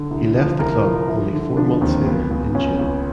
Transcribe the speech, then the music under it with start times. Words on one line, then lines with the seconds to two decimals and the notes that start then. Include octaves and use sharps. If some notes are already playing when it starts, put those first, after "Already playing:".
He left the club only four months later in June.
Already playing: D3
0.11 C2
0.36 F3
0.59 C2 A#4
0.84 F3
1.08 F3 E4
1.33 D3
1.57 F3 D4
1.81 D#2 C4
2.06 C#2 B3
2.31 C#2
2.54 C#2 C#4
2.79 C#2